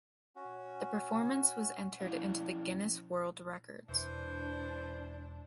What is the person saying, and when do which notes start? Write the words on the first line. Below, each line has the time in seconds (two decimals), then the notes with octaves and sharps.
The performance was entered into the Guinness World Records.
0.36 C#4 F#4
2.00 F3 C#4 E4 D5 F5
3.89 E1 E3 D4 C5